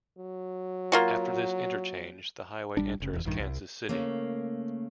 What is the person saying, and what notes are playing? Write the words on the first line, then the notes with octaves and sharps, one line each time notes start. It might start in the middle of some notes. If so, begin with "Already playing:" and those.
After this interchange, the highway enters Kansas City.
F#3
A#3 F4 F#4
A#1 G3 D4
F1 C#3
D#1 E2
A#1 G2 D#3
C2
C#3 A3 A#3